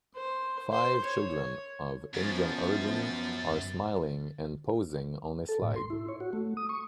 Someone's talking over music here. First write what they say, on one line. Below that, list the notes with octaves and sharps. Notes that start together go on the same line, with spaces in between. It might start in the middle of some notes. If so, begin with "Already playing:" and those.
Five children of Indian origin are smiling and posing on a slide.
C5
C5
C#5
F#2 F3 B3 A6
A4
A2
C6
E4
C#5
F#4
A3
D#6
C#6